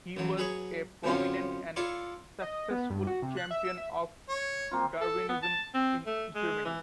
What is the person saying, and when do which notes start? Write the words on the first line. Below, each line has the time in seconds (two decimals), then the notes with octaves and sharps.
He was a prominent and successful champion of Darwinism in Germany.
0.17 A1 E3 F#3
0.37 F#3 G#4 B4 C#5
1.04 F#2 A2 D3 C4 C#4 F4
1.76 E4 F4 A4 C#5 D5
2.42 D#5
2.71 B3
2.90 G2
3.07 F#4
3.22 C3
3.37 F#6
3.51 E5
3.65 E6
3.78 E5
4.29 C#5
4.71 A#3 C4 F4
5.01 A4
5.29 B3
5.42 A5
5.74 C4
6.06 A3
6.35 G#3
6.65 E3